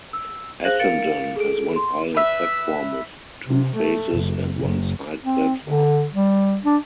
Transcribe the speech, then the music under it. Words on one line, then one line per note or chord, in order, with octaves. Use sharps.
Essendon has one island platform with two faces and one side platform.
E6
G#4 C5 F5 F#6 A#6 F#7
A#4 F5 A6 C#7 D7
G#4 A4 D7
C6
B4 E5
C3
A3
F#1
F#1
C4
D3
G3
D4